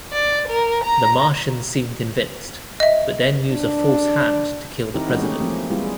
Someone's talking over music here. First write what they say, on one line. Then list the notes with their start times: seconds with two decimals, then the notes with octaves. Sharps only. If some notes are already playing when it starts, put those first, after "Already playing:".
The Martians seem convinced, but then use a false hand to kill the President.
0.12 D5
0.48 A#4
0.84 A#5
2.80 D#5 E5
3.50 D4
4.94 D#3 C4 D#4 E4 G4 A#4
5.07 E3 G#3 C#4 D#4 F#4 G4
5.22 A3 B3 C#4 D#4 G4 G#4
5.39 F3 A3 A#3 C4 C#4 G4
5.70 G3 G#3 B3 E4 F4
5.84 G#4